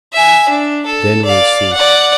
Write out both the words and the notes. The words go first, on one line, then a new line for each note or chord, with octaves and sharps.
Then we'll see.
E5 G#5
D4
A4
D5 F5
D5 F#5